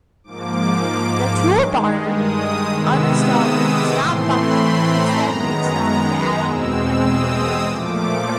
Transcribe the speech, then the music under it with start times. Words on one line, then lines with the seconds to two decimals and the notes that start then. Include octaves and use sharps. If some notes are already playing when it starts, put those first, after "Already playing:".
The toolbar uninstaller does not function, instead re-installing the add-on if manually removed.
0.24 G#2 F3 A#3 D6
1.48 G2 D#3 G#3
2.09 D#6
2.71 C3 D#3 G#3 B3 E6
3.02 D#6
3.64 D6
3.94 A2 E3 A3 C4 C6
4.25 B5
4.87 A#5
5.18 F#2 D#3 G#3 B3
6.10 A#5
6.41 E2 B2 G#3 C4 E6
6.73 E6
7.04 D#6
7.65 A#2 F3 A3 D6